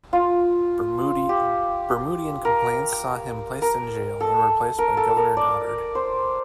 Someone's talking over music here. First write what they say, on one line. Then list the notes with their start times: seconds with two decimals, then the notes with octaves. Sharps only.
Bermudian complaints saw him placed in jail, and replaced by Governor Goddard.
0.13 F4
1.29 G4
2.45 A#4
3.62 A#4
4.20 A4
4.78 A#4
4.97 A4
5.16 A#4
5.37 D5
5.95 C5